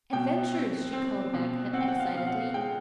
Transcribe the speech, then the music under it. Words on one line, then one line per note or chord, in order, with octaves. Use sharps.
"Adventures!" she called back excitedly.
B2 G5
C4
C4
B2
C4 F#5
G5
F#5
F5
B2 F5
F#5
G#3 G5